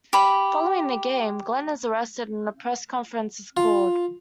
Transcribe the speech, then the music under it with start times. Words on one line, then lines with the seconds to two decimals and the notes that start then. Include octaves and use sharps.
Following the game, Glen is arrested and a press conference is called.
0.13 G4 B5
3.57 F4